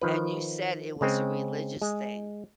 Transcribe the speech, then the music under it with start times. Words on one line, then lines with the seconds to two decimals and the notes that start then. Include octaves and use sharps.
and you said it was a religious thing
0.01 D#3 F3 B4
1.01 C#3 G#3 C4
1.82 G#3